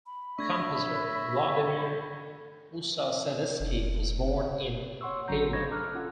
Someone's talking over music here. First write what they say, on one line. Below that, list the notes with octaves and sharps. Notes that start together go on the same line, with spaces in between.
Composer Vladimir Ussachevsky was born in Hailar.
B5
A3 D4 E5 C#6 G#6 A#6
F1
C#5 F#5 C6 C#6 E6
G#1 C#3 F#3 C#4 A#5 G6
B5 C#6 G#6 A#6
A4 A#5 D6 F6 F#6
C#4 F4 A4 F#5